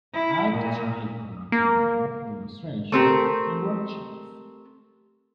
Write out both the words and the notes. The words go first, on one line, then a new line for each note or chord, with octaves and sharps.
I’ve tried color coding, demonstration, and worksheets.
E4
A#2
A#3
A3 C4 G4 A#4